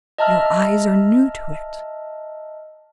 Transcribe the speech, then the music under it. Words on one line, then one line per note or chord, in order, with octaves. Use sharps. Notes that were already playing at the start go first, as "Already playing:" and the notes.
Your eyes are new to it.
D#5 E5 A5 A#5 E6 F6